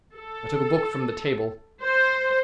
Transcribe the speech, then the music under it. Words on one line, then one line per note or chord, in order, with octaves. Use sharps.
I took a book from the table.
A4
C5